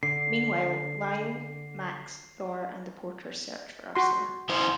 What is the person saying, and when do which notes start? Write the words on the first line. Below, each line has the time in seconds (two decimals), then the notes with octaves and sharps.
Meanwhile, Lyle, Max, Thor, and the porters search for Ursula.
0.03 D3 C7
3.95 F#4 C6
4.49 E2 E4 C5